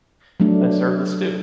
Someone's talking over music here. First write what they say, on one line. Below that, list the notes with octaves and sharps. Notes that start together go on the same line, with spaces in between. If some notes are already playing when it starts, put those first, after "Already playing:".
Then serve the stew.
F#3 A3 D4